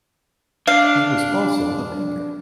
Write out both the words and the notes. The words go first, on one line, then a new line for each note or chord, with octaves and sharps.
He was also a banker.
D4 D5 F5